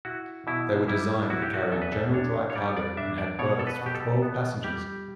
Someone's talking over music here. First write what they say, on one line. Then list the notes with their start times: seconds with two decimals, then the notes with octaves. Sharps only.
They were designed for carrying general dry cargo and had berths for twelve passengers.
0.05 E4 F#4
0.47 B2 E4
0.88 G3 E4
1.30 E4 F#4
1.42 G4
1.54 F#4
1.72 E2 A4
1.82 B4
1.92 A4
2.13 D4 C#5
2.50 C#5
2.55 G3 D5
2.77 D5
2.97 D4 E5
3.18 D5
3.39 B2 C#5
3.59 A4
3.67 B4
3.81 B2
3.86 G4
3.95 A4
4.22 B3
4.64 G3 G4